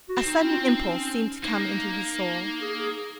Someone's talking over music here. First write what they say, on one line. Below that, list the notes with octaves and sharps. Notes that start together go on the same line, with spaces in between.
A sudden impulse seemed to come into his soul.
F#4
C4
D#4
C#4
F4
D#4
C#4
A#3 D#4
D#4
G#4
G#4